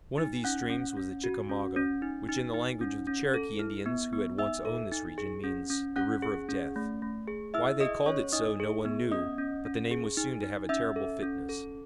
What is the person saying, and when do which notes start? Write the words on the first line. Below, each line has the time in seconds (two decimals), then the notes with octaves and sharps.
One of these streams was the Chickamauga, which in the language of the Cherokee Indians who had once owned this region means "the river of death." Why they called it so no one knew, but the name was soon to have a terrible fitness.
0.18 D#4
0.44 C#4 F#5 F#6
0.70 C#4
0.97 C#4
1.24 F#4
1.49 C#4
1.76 C#4
2.02 D#4
2.29 D#4
2.54 D#4
2.81 C#4
3.07 C#4
3.34 A4
3.59 E4
3.86 B3
4.13 B3
4.38 D#4 E5 E6
4.65 A4
4.92 D#4
5.18 G#4
5.44 C#4
5.70 C#4
5.96 C#4 F#5 F#6
6.22 G#4
6.49 C#4
6.76 A3
7.02 A3
7.28 G#4
7.54 E4 E5 E6
7.80 G#4 D#5 D#6
8.06 C#4 C#5 C#6
8.32 D#4 D#5 D#6
8.60 G#4
8.85 B3
9.11 C#4 D#5 D#6
9.38 C#4
9.65 C#4
9.91 G#4
10.17 D#4
10.43 D#4
10.69 C#4 E5 E6
10.96 A4
11.23 C#4
11.49 A4